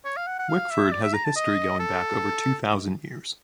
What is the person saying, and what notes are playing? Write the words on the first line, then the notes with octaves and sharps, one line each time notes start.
Wickford has a history going back over two thousand years.
C#5
F5
F#5
F#5
F5
E5
D5
E5
A#5
A5
D#5
A4